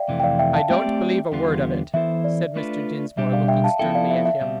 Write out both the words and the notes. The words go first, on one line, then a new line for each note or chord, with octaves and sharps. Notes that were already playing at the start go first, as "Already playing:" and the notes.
"I don't believe a word of it," said Mr. Dinsmore, looking sternly at him.
Already playing: D5 E5 F5 G5
F2 C3 E3 A3
G5
D5 F5
E5 G5
F5 A5
A3 C4 G4 D5 E5 G5
E2 D3 G3 B3 F4
E3 B3 E4 A4 C5 E5
D5
A3 D4 F4 B4
B2 G3 D4 G4 E5
D5 F5
E5 G5
F5 A5
F3 B3 E4 A4 E5 G5
D5 F5
E5
E5
B2 G3 C4